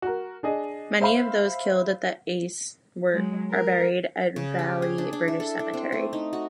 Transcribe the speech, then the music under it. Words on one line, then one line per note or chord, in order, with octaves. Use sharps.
Many of those killed at the Aisne are buried at Vailly British Cemetery.
F#4 A#4
D4 G#4 D#5
C5 E5 F5 B5
F#3 G#3
A#4
C#3
G4
G#4
D4
D4
E4
A4
D4
C4
A3
D#4
F#4